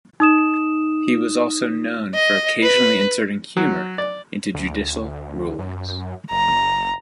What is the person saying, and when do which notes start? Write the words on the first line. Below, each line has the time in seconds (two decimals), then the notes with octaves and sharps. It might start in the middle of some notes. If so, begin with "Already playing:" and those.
He was also known for occasionally inserting humor into judicial rulings.
0.20 D#4 D#6 E7
2.14 D#5
2.63 B4
3.57 F#3
3.98 D5
4.55 D2
5.59 F#2
6.31 F#1 A#5